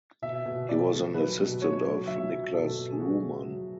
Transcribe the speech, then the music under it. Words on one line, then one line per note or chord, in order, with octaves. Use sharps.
He was an assistant of Niklas Luhmann.
B2 E5
B2
B2 D5
A3
F#3 B4
B2
A3 C#5
F#3
F#3 E5
F#3
B2 A4
B2
G#4
A3 F#4
A3
F#3